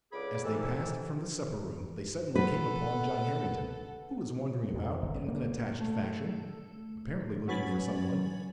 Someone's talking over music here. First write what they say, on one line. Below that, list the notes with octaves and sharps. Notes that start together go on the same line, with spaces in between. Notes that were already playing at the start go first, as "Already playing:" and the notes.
As they passed from the supper-room they suddenly came upon John Harrington, who was wandering about in an unattached fashion, apparently looking for some one.
C#2 D3 G#4 B5 D6
C2 D#3 E3 A4
A4 B4 F#5
F2
G1
A#3
A3
F#3 C#4 B4 G#5 A6 F#7